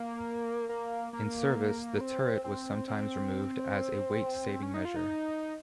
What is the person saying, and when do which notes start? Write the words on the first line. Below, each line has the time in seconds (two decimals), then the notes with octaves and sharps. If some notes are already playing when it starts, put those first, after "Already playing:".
In service, the turret was sometimes removed as a weight saving measure.
Already playing: A#3
0.69 A#3
1.13 A#3
2.01 C4
2.44 C4
2.88 C4
4.63 C#4
4.74 D#4
4.85 F4
4.96 D#4